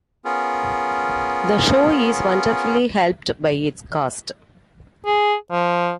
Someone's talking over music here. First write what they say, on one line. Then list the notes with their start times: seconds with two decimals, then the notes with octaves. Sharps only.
The show is wonderfully helped by its cast.
0.25 B3 C#4 F4 G#4 A#4
5.06 G#4
5.51 F3